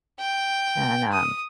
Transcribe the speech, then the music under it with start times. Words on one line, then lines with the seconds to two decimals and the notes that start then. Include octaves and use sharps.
and, um
0.20 G5
1.12 D#6